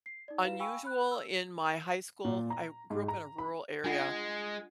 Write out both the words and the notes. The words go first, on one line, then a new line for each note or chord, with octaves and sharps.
unusual in my high school, I grew up in a rural area,
C7
D#4 D5
E4 F#4 B4 F5 E7
F5 G5 G#5 B5 C#6 E6
B5 F#6
E6
A#2
A#5
G#2
A#5
B5
G#3 D4 F4 F#5